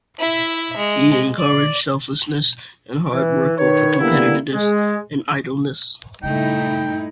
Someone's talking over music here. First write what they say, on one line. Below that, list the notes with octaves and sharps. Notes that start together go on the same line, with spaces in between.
He encouraged selflessness and hard work over competitiveness and idleness.
E4 E5
G#3
D5
E3
D#3 B4 C#5
D3 E3 G3 A#3 B3 E4
G#3
G2 A#2 C#3 G#3 A3 D#4 E4 G5